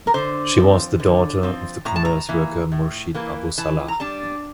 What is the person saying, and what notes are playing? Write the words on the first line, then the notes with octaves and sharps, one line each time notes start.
She was the daughter of the commerce worker Murshid Abu Salah.
A#4
D3 C5
F3 C4
D3
F3 C4
A2 A#5
A5
A#5
E3 A#3
A2
E3 A#3
E3 A5
A#5
G3 D4 A5